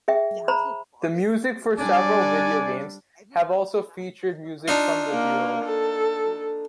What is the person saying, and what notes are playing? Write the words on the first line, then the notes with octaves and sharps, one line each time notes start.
The music for several video games have also featured music from the duo.
G#4 E5 G5
C5 A#5 B5
G3 D4 D5 G#5
D4 D#4 F4
A#3
A4